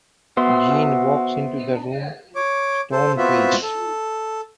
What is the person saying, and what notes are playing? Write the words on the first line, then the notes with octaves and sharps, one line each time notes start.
Jean walks into the room, stone-faced.
B3 F#4 C5 E5 C6
C#5 D6
A4 C5
B3 C4 F4 F#4 E5
A4